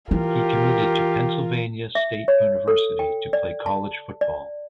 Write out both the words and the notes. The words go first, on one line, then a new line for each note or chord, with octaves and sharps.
He committed to Pennsylvania State University to play college football.
E3 F4 G4 A#4
E5
C#5
A4
G5
D5
A5
D5